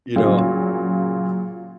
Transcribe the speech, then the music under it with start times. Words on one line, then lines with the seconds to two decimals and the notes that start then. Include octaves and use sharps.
you know.
0.16 A#2 C#3 F#3